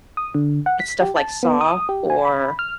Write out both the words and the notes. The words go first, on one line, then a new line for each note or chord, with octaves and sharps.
it's stuff like Saw or
D#6
D3
F#5
B6
G4
A5
B3
D#6
G4
G#5
B5
F6